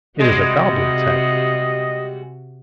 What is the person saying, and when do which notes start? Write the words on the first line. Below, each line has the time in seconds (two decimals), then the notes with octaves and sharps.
It is a goblin's head.
0.19 C3 G3 G#3 F#4 D#5